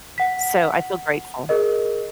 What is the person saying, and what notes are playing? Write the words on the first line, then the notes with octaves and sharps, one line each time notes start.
So, I feel grateful.
F#5 B6
G#4 A#4 D#5